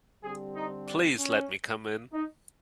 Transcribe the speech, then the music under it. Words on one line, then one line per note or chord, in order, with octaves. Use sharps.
Please let me come in.
D3 G3 C4 G#4
D#4
D4
C#4
D#4